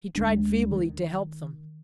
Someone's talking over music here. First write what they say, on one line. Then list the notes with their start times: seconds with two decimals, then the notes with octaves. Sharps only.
He tried feebly to help them.
0.15 D2 G#3 D4
0.71 D#3